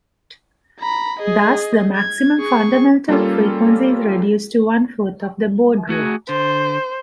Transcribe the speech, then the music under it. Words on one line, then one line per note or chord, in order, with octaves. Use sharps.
Thus, the maximum fundamental frequency is reduced to one fourth of the baud rate.
A#5 B5
G#4 D#5
G#6
G#4 C#6
G3 A#3 C#4 F4 A4
A3 F#4 G#4
D3 C5